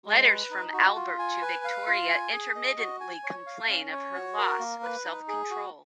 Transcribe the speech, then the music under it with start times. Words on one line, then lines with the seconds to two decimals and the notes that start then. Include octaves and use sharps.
Letters from Albert to Victoria intermittently complain of her loss of self-control.
0.06 G#3
0.27 B4
0.50 D#4
0.73 F#4
0.96 F4
1.19 G#5
1.42 B4
1.64 F5
1.87 F4
2.10 G#5
2.33 G#4
2.55 D#5
2.78 F#4
3.01 G#5
3.24 C#5
3.46 F5
3.69 C#4
3.92 C#5
4.15 F#4
4.38 A#4
4.59 A#3
4.83 B4
5.05 D#4
5.28 G#4
5.50 F#4